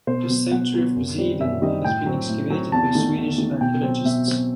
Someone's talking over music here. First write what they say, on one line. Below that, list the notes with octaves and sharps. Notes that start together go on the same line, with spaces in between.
The Sanctuary of Poseidon has been excavated by Swedish archaeologists.
B2 C5
F#3 B3
B2 F#5
F#3 B3
F#2
D#3 G3 C4
F#2 E5
D#3 G3 C4 D#5
A2 G5
F#3 C4
A2
F#3 C4
E2 A5
D#3 A3
E2
D#3 A3
B2 G5
F#3 C4
B2 E5
F#3 C4